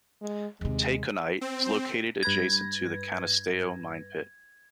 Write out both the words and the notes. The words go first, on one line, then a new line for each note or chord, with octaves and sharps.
Taconite is located adjacent to the Cannisteo mine pit.
G#3
D#2 C3 G#3
C4
G2 B4 G#6 A#6